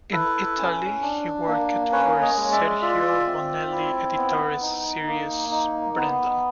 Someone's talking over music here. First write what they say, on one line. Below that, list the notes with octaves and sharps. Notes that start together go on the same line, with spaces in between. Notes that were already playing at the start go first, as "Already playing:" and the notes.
In Italy, he worked for Sergio Bonelli Editore's series "Brendon".
E4 A4 B4
C#4
D4
A#3
C#4 B4 C#5
C#5 D#5
G#3
D5 E5
F4 D5 E5
C4
E4
B3
D#4
A#3
D#4
B3